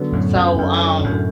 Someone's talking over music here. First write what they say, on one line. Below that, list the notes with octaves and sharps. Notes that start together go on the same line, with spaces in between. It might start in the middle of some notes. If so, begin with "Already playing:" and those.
so, um,
Already playing: D3 F#3 B3
F#2 A2
F#2
F#2
F#2 A2